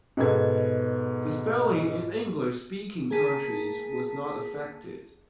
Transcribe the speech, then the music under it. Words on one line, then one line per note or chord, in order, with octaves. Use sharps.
The spelling in English-speaking countries was not affected.
G#2 B2 B3 A4 G#6
A#3 G#4 A5 B6 D#7